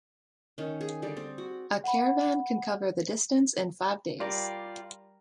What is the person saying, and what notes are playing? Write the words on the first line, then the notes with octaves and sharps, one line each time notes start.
A caravan can cover the distance in five days.
D#3 C#4
G#4
D3 G3 G#4 D5
C4
F#4
F#5 B5
G3 F4 G4 A#4 D5